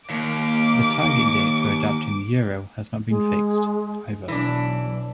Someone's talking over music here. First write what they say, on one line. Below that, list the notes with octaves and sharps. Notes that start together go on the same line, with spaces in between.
The target date for adapting the Euro has not been fixed, either.
D#2 A#3 D6
G#3
B1 E3 D4